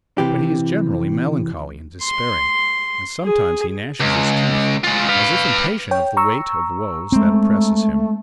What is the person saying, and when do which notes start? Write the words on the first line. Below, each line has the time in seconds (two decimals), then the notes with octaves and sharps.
But he is generally melancholy and despairing, and sometimes he gnashes his teeth, as if impatient of the weight of woes that oppresses him.
0.18 C3 E3 G4
2.03 C6
3.24 G#4
4.00 C#2
4.84 G#3 F4
5.09 B4 F5
5.91 C#5 G5
6.17 A#5 C#6 E6
7.12 G#3 A3 C4